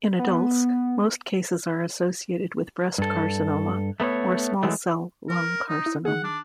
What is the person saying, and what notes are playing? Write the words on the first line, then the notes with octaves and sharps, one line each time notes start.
In adults, most cases are associated with breast carcinoma or small-cell lung carcinoma.
B3
G2 A4
A3 B3 B4 C#5
E3 F#3 G#3 A3
A#4
D#4
E4
D#3 G#4 F#5
D4